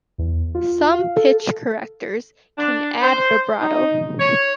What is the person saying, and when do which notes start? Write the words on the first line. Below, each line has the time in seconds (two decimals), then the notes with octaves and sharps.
Some pitch correctors can add vibrato.
0.18 E2
0.55 F4
0.94 F5
1.16 A4
2.57 D4
3.02 C5
3.61 D#4
4.19 C#5